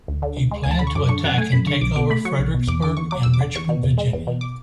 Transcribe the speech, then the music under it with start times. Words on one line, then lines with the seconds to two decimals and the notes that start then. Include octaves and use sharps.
He planned to attack and take over Fredericksburg and Richmond, Virginia.
0.08 D2
0.22 D3
0.36 D2
0.51 G#3
0.63 D2 G#5
0.71 A5
0.79 D3 B5
0.87 C#6
0.95 F#2 D6
1.09 D3 C#6
1.24 F#2 F#5
1.38 A3 G#5
1.52 F#2 B5
1.67 D3 C#6
1.81 B1 D6
1.96 B2 D6
2.10 A3 B5
2.25 F#3 C#6
2.39 B1
2.54 B2
2.68 E2 D6
2.82 D3 D6
2.97 E2 C#6
3.11 F#3 D6
3.23 E2 E6
3.34 D6
3.40 D3
3.55 E2 C#6
3.69 B2
3.83 E2
3.98 G#3
4.13 E2
4.27 B2
4.41 D6